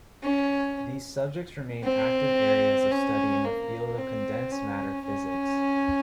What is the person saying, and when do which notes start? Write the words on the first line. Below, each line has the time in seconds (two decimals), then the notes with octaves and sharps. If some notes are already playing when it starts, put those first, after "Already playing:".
These subjects remain active areas of study in the field of condensed matter physics.
0.23 C#4
1.83 C4
2.91 C#4
3.45 A#3
3.98 C4
4.52 C#4
5.06 C#4